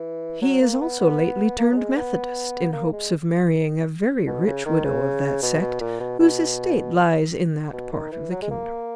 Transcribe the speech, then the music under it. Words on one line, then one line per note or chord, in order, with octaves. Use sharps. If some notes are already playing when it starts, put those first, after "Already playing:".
He is also lately turned Methodist, in hopes of marrying a very rich widow of that sect, whose estate lies in that part of the kingdom.
Already playing: E3
F#3
A#3
B3
B3
A#3
F#3
G#3
B3
A#3
G#3
B2
C#3
D#3
C#3
B2
B2
A#2
B2
B2
B2
D#3
E3
F#3
G#3
A#3